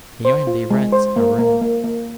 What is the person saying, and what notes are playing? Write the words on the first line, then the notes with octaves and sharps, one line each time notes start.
He only rents a room.
C5
F4
G#3
C5
A#3
A#3
A#3
A#3